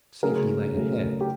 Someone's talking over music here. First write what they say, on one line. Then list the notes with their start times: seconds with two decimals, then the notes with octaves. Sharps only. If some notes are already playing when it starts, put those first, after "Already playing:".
Safety lay ahead.
0.23 C#3 F#3 A3 G#4 A#4
0.74 C#3 F#3 A3
1.21 G4